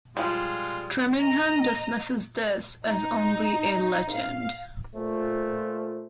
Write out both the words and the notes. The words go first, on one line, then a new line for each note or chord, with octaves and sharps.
Trimingham dismisses this as only a legend.
F3 G3 G#3 F4
D#5 A#5
D#4
F5
A#2 A3 F4 C5